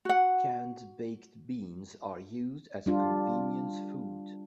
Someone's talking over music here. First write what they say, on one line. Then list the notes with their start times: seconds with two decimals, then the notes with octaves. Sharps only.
Canned baked beans are used as a convenience food.
0.05 F#4 F#5
2.86 G3 D4 F4